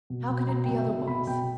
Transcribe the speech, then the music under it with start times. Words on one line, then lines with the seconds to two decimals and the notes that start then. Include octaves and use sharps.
How can it be otherwise?
0.10 B2
0.30 B2
0.49 B2 A#5
0.64 B2 G5
0.78 E5
0.88 B2 E5
1.07 B2 B5
1.27 B2 G5